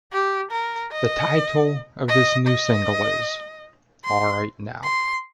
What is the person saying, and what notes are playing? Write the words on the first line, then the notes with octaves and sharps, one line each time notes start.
The title of this new single is "Alright Now".
G4
A#4
D#5
D#5
D#5
C6
C6